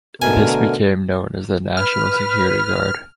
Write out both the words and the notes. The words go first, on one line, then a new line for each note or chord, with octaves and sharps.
This became known as the National Security Guard.
B2 D3 A3 A#4 G#5
B4 F6